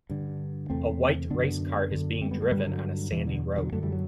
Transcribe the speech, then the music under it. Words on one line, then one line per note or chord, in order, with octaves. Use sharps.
A white race car is being driven on a sandy road.
G2 D3
E2 C3 A3 C4
F#2 D3 B3 D4
F#2 D3
A3 C4
G3 B3
F#3 A3
G2 D3 E3 G3
D3 F#3
E2 B2 E3
D3
D3 F#3
F#2 D3 F#3 A3
E3 G3
F#3